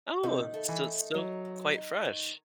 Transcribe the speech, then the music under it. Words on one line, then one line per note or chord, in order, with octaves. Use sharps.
Oh, so still quite fresh.
C3 D#3
A3
E3
D#3
F#3 D#4
D#3
D#4
D#3